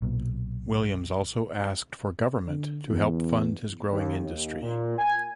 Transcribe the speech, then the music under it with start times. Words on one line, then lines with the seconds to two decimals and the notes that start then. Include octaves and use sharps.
Williams also asked for government to help fund his growing industry.
0.02 B1 A#2
2.48 D3
2.89 E2
3.92 D#2
4.20 D#2
4.62 A#2
4.98 G#5